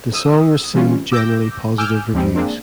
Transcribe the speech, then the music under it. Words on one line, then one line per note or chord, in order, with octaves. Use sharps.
The song received generally positive reviews.
D#6 E6
C3 E3 G3 A3 C#4 F4
D6 E6 G6 A#6
G#5 D6 E6 F6 G6
D#2 F3 G3 G#3 C4
G#3 A#3 C4 D4